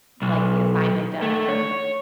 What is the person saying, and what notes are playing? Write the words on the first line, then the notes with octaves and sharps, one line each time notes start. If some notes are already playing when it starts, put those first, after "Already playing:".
like, the assignment done or
B1
A3
C#5